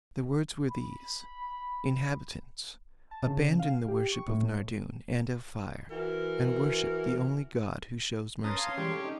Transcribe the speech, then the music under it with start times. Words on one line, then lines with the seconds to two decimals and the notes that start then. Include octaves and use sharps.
The words were these: Inhabitants, abandon the worship of Nardoun, and of fire, and worship the only God who shews mercy.'
0.71 B5
3.11 A5
3.27 C#3
3.59 F5
3.88 G4
4.12 C#6
4.28 A2
5.91 E3 F#4 A#4
8.44 C#4 A#4 B4 A5 A#5 C6 D#6
8.57 C#5 F5 C6
8.77 E3 G3 G#3 C#4 G4
8.91 A4
9.05 D#4